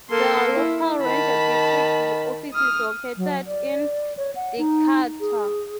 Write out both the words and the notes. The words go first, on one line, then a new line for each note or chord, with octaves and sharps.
There are local ranger district offices located in Decatur.
A#3 A4 C6
E4
D#3 A5 B5
D#6 F6
F#3
D5
C#5
F#5
D#4
G#4